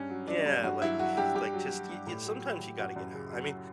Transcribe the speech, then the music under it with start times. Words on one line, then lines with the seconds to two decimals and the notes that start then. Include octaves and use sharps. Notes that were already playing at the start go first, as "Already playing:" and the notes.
Yeah, like like, just y you sometimes you gotta get out. I mean
Already playing: G2 C#4
0.09 F#3
0.28 F#3 D4
0.46 G2
0.63 G2 F#4
0.82 F#3 E4
0.99 F#3 F#4
1.17 G2 G4
1.34 G2 G4
1.53 F#3
1.71 F#3
1.89 G2
2.07 A2
2.25 F#3
2.42 F#3
2.60 A2
2.78 F#2 F#4
2.96 F#2
3.13 C#3
3.32 F#3